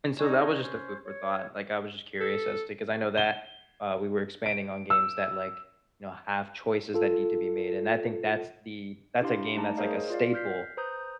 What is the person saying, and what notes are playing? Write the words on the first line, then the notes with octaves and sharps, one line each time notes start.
And so that was just a food for thought, like, I was just curious as to 'cause I know that, uh, we were expanding on games that, like, you know, have choices that need to be made, and I think that's the that's a game that's like a staple
C#4 D#4 D5 D#5
C#4 C5
C#5
A4
G7
D7
E6
F4 A4
D4 E4 G4 F5 C6
A3 D#4 A5 A#5
G#4 A#4 C5 C#5 D#5 F5
F4 D5 F5
F6 G6 B6 C7
B4 C5 A#5 D#6 G6